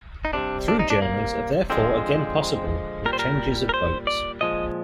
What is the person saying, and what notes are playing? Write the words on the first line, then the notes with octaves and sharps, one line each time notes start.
Through journeys are therefore again possible, with changes of boats.
D#4
C3 G3 D4
D4
D#4
D4
A#3
D3 F3 G#3 C4
A#2 G3 A#4
C5
A#4
A#4
C5
D5
A#2 F3 G#3 D#5